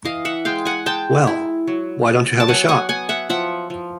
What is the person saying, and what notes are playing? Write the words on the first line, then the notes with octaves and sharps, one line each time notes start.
Well, why don't you have a shot?
E3 D#5 F5
E5 F#5
G#3 F5 G5
F#5 G#5
G#3 G5 A5
E4
F#3
B3
A5
F#3 F#5 G#5
F#5 G#5
B3 F#5 G#5
E5 F#5
F3 E5 F#5
F3